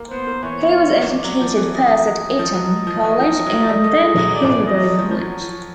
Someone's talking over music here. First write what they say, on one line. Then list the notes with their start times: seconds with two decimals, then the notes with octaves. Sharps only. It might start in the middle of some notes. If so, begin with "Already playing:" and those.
He was educated first at Eton College and then Haileybury College.
Already playing: A#3
0.10 B3 C5
0.27 A#3
0.43 E3 C#5
1.08 F3 D5
1.24 F#3
1.41 F3
1.57 E3
1.74 D#5
2.39 F3
2.55 F#3
2.87 F3
3.03 E3
3.20 F3
3.46 F#3
3.52 F3
3.69 G3
3.84 A3
4.01 G#3
4.18 F#3
4.34 E3 D5
4.42 F3
4.50 E3
4.66 D#5
4.99 F3 C#5
5.11 F3
5.21 F#3
5.42 F3